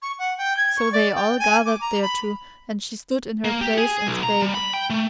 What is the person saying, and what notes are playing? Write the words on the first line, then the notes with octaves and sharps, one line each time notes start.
So they all gathered thereto, and she stood in her place and spake.
C#6
F#5
G5
G#6
C#6
D5
G5
G#5
D6
A#5
B5
A#3
G4
G#4
B1
A#5
G3
B5
G5
A3